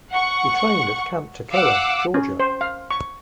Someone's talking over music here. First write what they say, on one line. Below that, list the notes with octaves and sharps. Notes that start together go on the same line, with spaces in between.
He trained at Camp Toccoa, Georgia.
F#5 C#6
F5 F#5 D6 E6
C#4
C5
F5
C#6